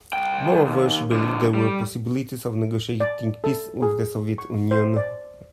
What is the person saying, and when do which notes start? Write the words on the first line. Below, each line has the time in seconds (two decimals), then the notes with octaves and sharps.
Moreover, she believed there were possibilities of negotiating peace with the Soviet Union.
0.13 C2 G5
0.65 D#2
1.12 D3 F3
1.54 G3
3.00 D5
3.44 A4
3.82 G#4
4.38 C#6
4.71 C5
4.96 D5